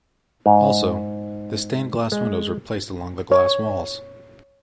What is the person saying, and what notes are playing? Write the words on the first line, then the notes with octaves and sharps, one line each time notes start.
Also, the stained glass windows were placed along the glass walls.
G#2
G#3
C#5